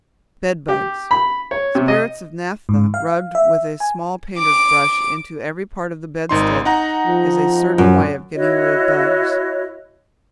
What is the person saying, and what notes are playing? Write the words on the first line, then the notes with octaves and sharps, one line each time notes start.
Bed Bugs.--Spirits of naphtha rubbed with a small painter's brush into every part of the bedstead is a certain way of getting rid of bugs.
G4
B5
C#5
C3
D#5
G#2
F5
E5
G#5
D6 D7
G#1 D#4 C6
D#4 F#5 A#5
F3
F#2
E4 F#4 C#5 D#5